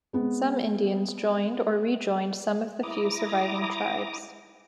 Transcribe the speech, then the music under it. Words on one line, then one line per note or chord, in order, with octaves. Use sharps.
Some Indians joined or re-joined some of the few surviving tribes.
G#3 B3 C4
E4 A#5 D6 D#6